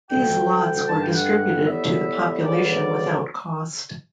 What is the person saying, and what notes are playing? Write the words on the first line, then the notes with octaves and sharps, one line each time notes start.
These lots were distributed to the population without cost.
D2 D3 G3 G5
G5
G2 D3 G3 A5
G5
F#5
A2 G3 B3 E5
D2 C#3 E3 G3 B3 D5